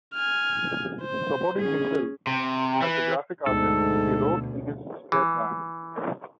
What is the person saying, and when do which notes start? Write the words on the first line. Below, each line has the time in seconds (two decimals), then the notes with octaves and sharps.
Supporting himself as a graphic artist, he wrote in his spare time.
0.14 G#5 F6
1.02 C5
1.58 C#4 G#4
2.27 C3
2.82 E3
3.46 D2 G#2 B2 A4
5.12 E3